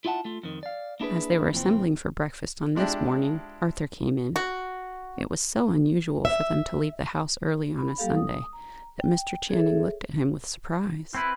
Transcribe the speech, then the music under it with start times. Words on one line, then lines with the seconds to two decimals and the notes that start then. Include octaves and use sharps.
As they were assembling for breakfast on this morning, Arthur came in. It was so unusual for them to leave the house early on a Sunday, that Mr. Channing looked at him with surprise.
0.05 E4 F4 E5 F#5 A5
0.25 A3 F4
0.43 F2 D#3
0.63 D5 F5
1.00 A#3 D4 E4 G#4 B4
1.52 F2 A#2 E3 C4
2.75 F3 G#3 D4 E4 G4
4.36 F#4
6.25 E5
7.78 B5
7.98 F#3 G3 A#3 G4 A4 F5
8.16 D#6
8.53 A#5
8.99 G5
9.49 G#4 A4 C#5 E5
11.15 C4 E4 B4